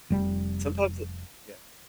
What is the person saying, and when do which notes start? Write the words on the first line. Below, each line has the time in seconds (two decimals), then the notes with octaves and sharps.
sometimes it yeah.
0.10 F1 G3